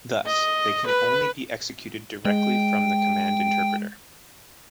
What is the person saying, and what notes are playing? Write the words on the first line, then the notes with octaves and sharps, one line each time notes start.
Thus, they can only be executed directly from the command interpreter.
D#5
B4
G#3 G5